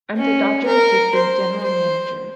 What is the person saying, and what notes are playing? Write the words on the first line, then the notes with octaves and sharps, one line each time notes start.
I'm the Dodger assistant general manager.
C#4
A#4
C5
C5